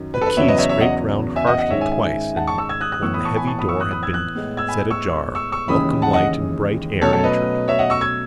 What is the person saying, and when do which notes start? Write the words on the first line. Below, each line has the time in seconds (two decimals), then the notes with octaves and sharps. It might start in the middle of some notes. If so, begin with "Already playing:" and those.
The key scraped round harshly twice and, when the heavy door had been set ajar, welcome light and bright air entered.
Already playing: F#2 D#3 F#3
0.14 B4
0.21 A4
0.26 B4
0.37 E2 C#3 F#3 B3 C#5 E5
0.48 B4 D#5
0.58 C#5 E5
0.69 C#5 E5
0.80 D#5 F#5
1.36 E5 G#5
1.47 D#5 F#5
1.58 D#5 F#5
1.69 G#2 D#3 G#3 C#4 C#5 E5
1.81 E5 G#5
1.92 E5 G#5
2.36 F#5 A5
2.47 A5 C#6
2.58 C#6 E6
2.69 E6 G#6
2.81 D#6 F#6
2.92 D#6 F#6
3.02 A2 E3 B3 C#6 E6
3.13 B5 D#6
3.25 A5 C#6
3.36 G#5 B5
3.47 A5 C#6
3.59 B5 D#6
3.69 C#6 E6
3.80 D#6 F#6
3.91 B5 D#6
4.03 E6 G#6
4.13 D#6 F#6
4.35 A2 G#3 B3
4.57 E6 G#6
4.68 G#5 B5
4.91 C#6 E6
5.35 C#6 E6
5.52 C#6 E6
5.68 D#2 C#3 E3 G#3 C#4 B5 D#6
6.02 F#5 A5
6.13 D#5 F#5
7.02 B2 F#3 A3 C#4 A4 C#5
7.13 A4 C#5
7.23 B4 D#5
7.68 C#5 E5
7.79 D#5 F#5
7.90 C#6 E6
8.01 E6 G#6